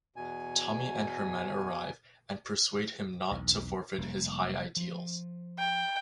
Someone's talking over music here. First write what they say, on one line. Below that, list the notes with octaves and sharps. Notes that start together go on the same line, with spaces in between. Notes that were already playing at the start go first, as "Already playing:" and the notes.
Tommy and her men arrive and persuade him not to forfeit his high ideals.
E2 B2 G#5
B1 E2
F1 G3 A#3
F3
G5